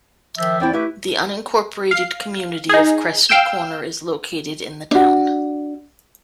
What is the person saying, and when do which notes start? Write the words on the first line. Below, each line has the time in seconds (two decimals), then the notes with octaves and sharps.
The unincorporated community of Crescent Corner is located in the town.
0.37 D#3 F3 E5
0.60 E2 C4 E4 D5 G5
0.73 A3 E4 G4 B4 E5
1.91 F5 C7
2.69 D#4 G#4
3.29 F5 G5 E6 G6 E7
4.91 D4 F#4